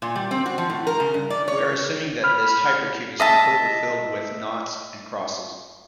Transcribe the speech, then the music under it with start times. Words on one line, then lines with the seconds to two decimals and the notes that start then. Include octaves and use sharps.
We are assuming that this hypercube is completely filled with "noughts" and "crosses".
0.02 A#2
0.16 G3
0.31 C4
0.46 F#4
0.58 F3
0.70 A2
0.87 A#4
1.00 C#3
1.14 G2
1.30 D5
1.48 C#5
2.24 B5 F6
3.20 D#5 E5 A5